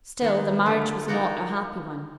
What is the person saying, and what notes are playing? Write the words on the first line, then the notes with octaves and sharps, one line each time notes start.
Still the marriage was not a happy one.
D#3 F#3 B3 D#4
D3 F3 A#3
F3 A#3 D#4 F#4